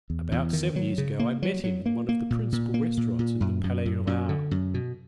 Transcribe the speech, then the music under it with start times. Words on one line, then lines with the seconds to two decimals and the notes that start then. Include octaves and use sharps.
About seven years ago, I met him in one of the principal restaurants in the Palais Royale.
0.10 E2
0.32 E2
0.53 D#3
0.76 F#3
0.98 C#3
1.19 A#3
1.42 F#3
1.64 F#3
1.86 A#3
2.09 A#3
2.30 A#2
2.52 A#2
2.74 A#3
2.97 A#2
3.19 A#2
3.40 F#2
3.64 F#2
3.86 F#2
4.07 F#2
4.29 D3
4.51 F#2
4.74 B2